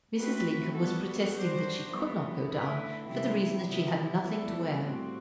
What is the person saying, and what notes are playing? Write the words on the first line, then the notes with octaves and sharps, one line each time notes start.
Mrs. Lincoln was protesting that she could not go down, for the reason that she had nothing to wear.
A3 C4 F#4 B4
G3 B3 F#4 A4
G3 D4 F#4 C5
E3 G3 B3
D3 A3 E4 B4
C3 E3 G3 C4 E4
C3 G3 B3 E4
E3 G3 B3 E4 A4
A2 G3 C4 F#4